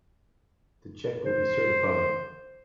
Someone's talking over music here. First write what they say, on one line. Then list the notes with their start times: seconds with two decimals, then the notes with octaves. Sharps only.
The check will be certified.
1.25 C5